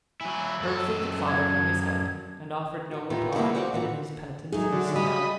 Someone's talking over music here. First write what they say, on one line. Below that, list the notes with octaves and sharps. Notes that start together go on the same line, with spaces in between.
Her afflicted father hung his head, and offered no reply but in his penitence and sorrow.
F#3 E4 G#5
F#2 A4 E6
G#6
F#4 C#5
D#3 G3 B3 E4 F4
G3 A#3 B3 E4 F#4
F#4 G#4 C5 D5 E5 F5
A#2 E3 F#4
F#3 A3 D#4 G#4
D3 F#4
G3 D#5 B5